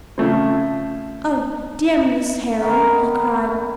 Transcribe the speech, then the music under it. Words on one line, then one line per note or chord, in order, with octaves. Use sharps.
"Oh, dear Miss Heron!" he cried.
C#3 F3 A3 C4
D#3 B3 C#4 A#4